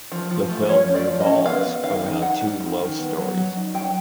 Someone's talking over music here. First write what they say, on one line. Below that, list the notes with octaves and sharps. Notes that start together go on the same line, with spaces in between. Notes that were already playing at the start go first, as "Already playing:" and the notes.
The film revolves around two love stories.
F3
F3
A3
F3 C#5
C#4
D5
F3
D#5
C#4
B3 F5
B3
D#3 F5
D#4
D#4 F#5
G3
D#4
D#3
B3
F#3
F#3
D#4
F#3 G5